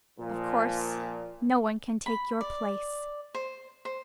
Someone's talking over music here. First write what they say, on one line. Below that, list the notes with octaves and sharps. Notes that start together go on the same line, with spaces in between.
Of course, no one can take your place....
A#2 F3
B5
D5
C5
C5